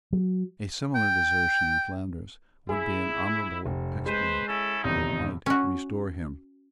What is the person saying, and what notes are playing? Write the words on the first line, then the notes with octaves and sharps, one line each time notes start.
A similar desertion in Flanders would be an honourable exploit; for it might restore him.
F#3
G5
E4 G#4
F1
G#3 B4 C5
C#4 E4 A4
D#1 E2 C3 D#4
C#4 F#4